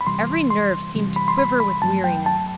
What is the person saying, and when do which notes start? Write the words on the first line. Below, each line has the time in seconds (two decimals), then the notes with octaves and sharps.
Every nerve seemed to quiver with weariness.
0.01 B5
0.07 E2 C3 E3 G3 C6
0.50 C6
0.94 E2 C3 E3 G3
1.16 B5
1.28 C6
1.38 B5
1.60 B5
1.82 G2 F#3 A3 A5
2.04 G5
2.26 A5